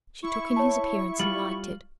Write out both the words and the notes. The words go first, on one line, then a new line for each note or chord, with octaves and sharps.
She took in his appearance and liked it.
E4 C#6
C#5 A5
G3 F4 F#7